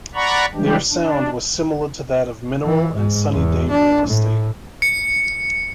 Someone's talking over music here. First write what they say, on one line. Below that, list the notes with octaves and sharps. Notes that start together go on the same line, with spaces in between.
Their sound was similar to that of Mineral and Sunny Day Real Estate.
D5 F#5 A#5 B5 C#6
E3 G3 G#3 D4 G4
D4
E3
G#2
E2
D4
A2
C#7